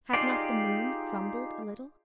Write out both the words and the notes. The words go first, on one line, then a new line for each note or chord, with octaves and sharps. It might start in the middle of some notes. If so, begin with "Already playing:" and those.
Had not the moon crumbled a little?
D#4 F4 G4 G#4 D5